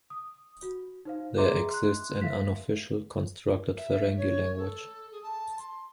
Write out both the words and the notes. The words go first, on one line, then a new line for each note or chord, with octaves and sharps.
There exists an unofficial constructed Ferengi language.
D#6
F#4
D#4 C5 F5
G#4 D#5 E5 A#5 C6 D6
C6 F#6
E5 F5 B6
E5
C#5
A4
G#4
A5
C6